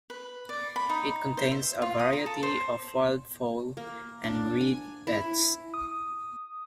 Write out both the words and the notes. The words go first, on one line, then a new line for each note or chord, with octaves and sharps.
It contains a variety of wildfowl and reedbeds.
B4
D5
B5
D#4
C5
E5
F4
D#6
A#5
A4
C5
A#3
D4
G#5
E4
D#6